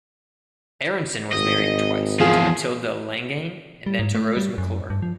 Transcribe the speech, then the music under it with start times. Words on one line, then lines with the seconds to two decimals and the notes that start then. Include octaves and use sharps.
Aronson was married twice, to Matilda Langane and then to Rose McClure.
1.33 G#1 D#5
2.20 E2 F3 F4 G#4
3.86 G3
3.99 G#2
4.15 A3
4.37 G3
4.58 F#2
4.90 G2
5.02 F3